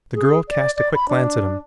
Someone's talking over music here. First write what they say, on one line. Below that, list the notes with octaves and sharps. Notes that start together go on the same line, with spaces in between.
The girl cast a quick glance at him.
G#4
D5
D5
B5
D4